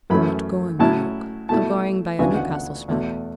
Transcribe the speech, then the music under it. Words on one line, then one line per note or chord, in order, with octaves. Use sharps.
'I'm not going by York; I'm going by a Newcastle smack.'
F#2 E3 A3 C#4 B5
A2 F#3 C#4 E4 A5
B2 A3 E4 A5
D2 C#3 E3 B3 D4 G#5
F#5
F#5
E2 B2 A3